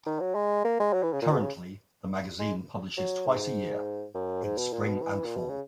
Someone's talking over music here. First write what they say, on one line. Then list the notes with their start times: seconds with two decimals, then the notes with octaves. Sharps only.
Currently the magazine publishes twice a year, in spring and fall.
0.06 D#3
0.20 F#3
0.35 G#3
0.65 A#3
0.80 G#3
0.93 F#3
1.03 E3
1.13 C#3
1.22 A#2
1.33 B2
1.43 C#3
2.40 G#3
2.97 F#3
3.27 G#2
4.15 F#2
4.43 G#2
4.58 B2
4.73 A#2
4.88 B2
5.02 E3
5.25 A#2
5.37 B2
5.49 C#3